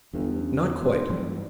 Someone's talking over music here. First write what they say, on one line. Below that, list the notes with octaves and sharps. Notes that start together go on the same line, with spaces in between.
Not quite.
G1 E2 F#3
G2 G3 C#4
E1 D#4 C6
F1 G2 E3 F#3 D5